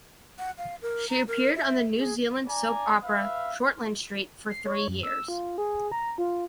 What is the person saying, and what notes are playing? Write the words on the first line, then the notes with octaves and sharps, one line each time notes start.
She appeared on the New Zealand soap opera "Shortland Street" for three years.
F#5
F5
A#4
A#5
A#4
E5
G#4
D4 D5 G#5 A#5
B4 E5 F5
C7
C#5
F#2
E6
F4
G#4
A#5
F4